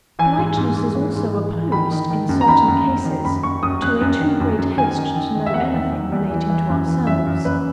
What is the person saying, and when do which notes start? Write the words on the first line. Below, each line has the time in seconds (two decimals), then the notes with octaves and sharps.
Politeness is also opposed, in certain cases, to a too great haste to know anything relating to ourselves.
0.19 E3 G#5
0.38 G#2
0.57 G#2
0.77 G#2
0.95 E3
1.15 G#2
1.34 E3
1.53 E3
1.72 D#3 B5
1.92 D#3
2.10 D#3
2.29 F#2
2.41 A#5
2.48 D#3 B5
2.68 F#2
2.87 F#2
3.05 D#3
3.25 F#2 B5
3.43 F#2 C#6
3.63 F#2 D#6
3.82 F#2 F#6
4.01 F#2
4.21 D#3
4.40 F#2
4.58 F#2
4.77 D#3 G#5
4.97 D#3
5.16 D#3
5.35 D#3
5.46 E5
5.54 E2 F#5
5.74 D#3
5.92 D#3
6.12 E2
6.31 E3
6.50 E3
6.70 F#2
6.88 E3
7.07 F#2 E5
7.26 F#2
7.45 F#2 B4